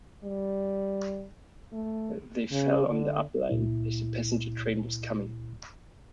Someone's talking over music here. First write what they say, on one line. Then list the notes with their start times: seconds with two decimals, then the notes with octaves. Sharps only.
They fell on the up line as the passenger train was coming.
0.24 G3
1.73 A3
2.51 C#3
2.87 D3
3.50 C#2 A#2 E4